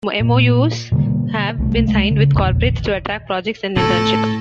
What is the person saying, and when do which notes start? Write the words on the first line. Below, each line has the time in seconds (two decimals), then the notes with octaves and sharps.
MoUs have been signed with corporates to attract projects and internships.
0.20 A#2
0.92 B2 D3 G3 A#3
1.58 C2 G#3 A3
1.88 G#3
2.11 C#3
2.33 E1 A#1 D#2
3.76 A2 A4